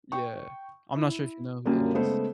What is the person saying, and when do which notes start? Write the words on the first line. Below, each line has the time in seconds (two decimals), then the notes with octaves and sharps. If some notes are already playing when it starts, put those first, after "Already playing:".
Yeah. I'm not sure if you know who that is.
0.12 G5 C#6
0.96 E4
1.66 F#2 A#2 D3 G3 A#3
1.94 C#3 G#3 A3 B3 C5